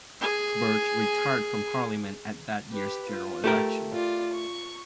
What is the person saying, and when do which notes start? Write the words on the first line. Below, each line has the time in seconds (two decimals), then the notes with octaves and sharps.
Birch retired from Parliament at that year's general election.
0.21 G#4 G#5
2.72 G4 B4
3.10 F4
3.44 A3 G4 A#4
3.92 F4 D5
4.32 C#6